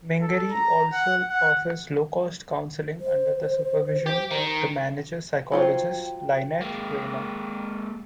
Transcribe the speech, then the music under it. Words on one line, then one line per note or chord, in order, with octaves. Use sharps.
Mingary also offers low-cost counselling under the supervision of the manager psychologist, Lynette Kramer.
A4
A#5
F#5
F#5
C5
G4
D#3
F#3 F4 C5 G5
G#3 A#3